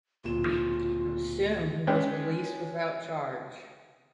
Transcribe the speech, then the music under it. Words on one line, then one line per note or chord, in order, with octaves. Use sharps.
Soon he was released without charge.
D1 A#2 F4 E7
G#3 C#4 D4 B4 G5